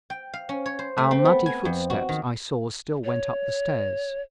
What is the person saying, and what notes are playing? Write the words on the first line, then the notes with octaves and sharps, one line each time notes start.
Our muddy footsteps I saw still went up the stairs.
G5
F5
C#4
C#5
C5
A3
C4
B3
G#5
F2
F#4
D#3
C#5